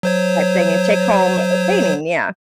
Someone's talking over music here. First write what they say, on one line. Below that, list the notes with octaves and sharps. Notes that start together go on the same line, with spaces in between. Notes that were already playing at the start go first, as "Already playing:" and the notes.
type thing, and take home a painting, yeah.
F#3 C5 C#5